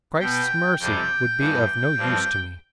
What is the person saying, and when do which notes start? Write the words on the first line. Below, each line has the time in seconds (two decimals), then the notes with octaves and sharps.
Christ's mercy would be of no use to me.
0.20 B2 B3 G5
0.79 F2 C3 G3 G5
1.38 G2 E3 B3
1.97 G2 F3 C4